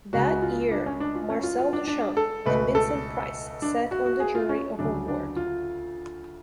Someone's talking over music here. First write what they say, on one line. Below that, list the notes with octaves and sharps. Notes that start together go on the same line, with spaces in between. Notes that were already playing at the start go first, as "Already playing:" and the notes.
That year, Marcel Duchamp and Vincent Price sat on the jury of award.
C#2 C#3 G#3 F#4
F4
D4
C#4
D4
F4
C#4
F4
F4
D4
D4
A4
C#2 B2 A3 B4
A4
D4
F#4
F#4
G#4
F4
C#4
D2 C#3 F#3 A3 D4
D4
F4